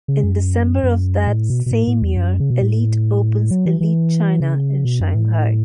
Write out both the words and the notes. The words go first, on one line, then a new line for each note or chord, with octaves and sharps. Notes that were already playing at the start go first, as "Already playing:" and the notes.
In December of that same year, Elite opens Elite China in Shanghai.
C#3
F#2
F#2
A2
B2
B2
A2
A2
E2
F#2
C#3
B2
A2
F#3
E3
E3
C#3
B2
F#2
A2